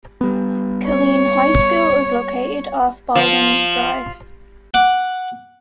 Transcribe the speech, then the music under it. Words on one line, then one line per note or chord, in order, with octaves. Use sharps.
Kaleen High School is located off Baldwin drive.
G3 B3
C#5
F3
F#5 D6